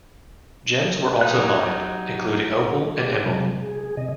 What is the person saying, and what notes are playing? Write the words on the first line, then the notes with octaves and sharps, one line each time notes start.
Gems were also mined, including opal and emerald.
F#3 D#4 G4 F#6
G4 G#4 D6
C3 F#3 G#3
G#4
G#4
C3 D#5